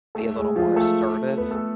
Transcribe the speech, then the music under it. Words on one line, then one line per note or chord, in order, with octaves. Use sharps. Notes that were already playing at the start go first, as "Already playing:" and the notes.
Be a little more assertive
A3 A4
G#3 G#4
F3 F4
A3 A4
B3 B4
A3 A4